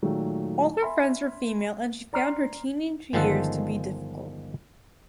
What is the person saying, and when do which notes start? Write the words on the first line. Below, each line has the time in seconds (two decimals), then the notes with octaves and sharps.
All her friends were female and she found her teenage years to be difficult.
0.03 A#2 D#3 F#3 G#3 A3
0.82 E5 G#5 B5 C6
2.13 D5 A#5 C6 F6 C7
3.13 G1 D#3 F3 G#3 A4 F#5